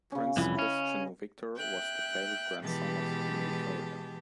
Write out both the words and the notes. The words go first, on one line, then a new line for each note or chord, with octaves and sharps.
Prince Christian Victor was the favourite grandson of Queen Victoria.
C#3 C#4
C2 F2 E3 E4 B5
C#4 D#5
E5 G5 F#6
B2 E3 G#3 G4 A5